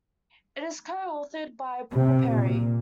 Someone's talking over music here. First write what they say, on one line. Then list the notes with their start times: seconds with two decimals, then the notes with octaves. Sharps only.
It is co-authored by Paul Perry.
1.92 C3
2.29 A#2